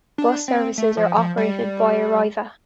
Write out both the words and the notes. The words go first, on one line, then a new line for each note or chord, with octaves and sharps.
Bus services are operated by Arriva.
D4
C4
A3
F3
F3
G3